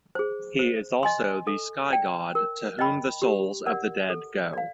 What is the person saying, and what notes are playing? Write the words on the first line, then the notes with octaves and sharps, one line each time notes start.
He is also the sky god to whom the souls of the dead go.
G#4 C5
C5
D#5 G#5 C6
A4
D5 G5
A#4
D#5 G5 B5
G4
A#4 D5 F#5
A4
D5 F5